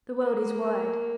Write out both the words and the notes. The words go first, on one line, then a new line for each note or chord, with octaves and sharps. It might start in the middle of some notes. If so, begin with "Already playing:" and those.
The world is wide.
A#3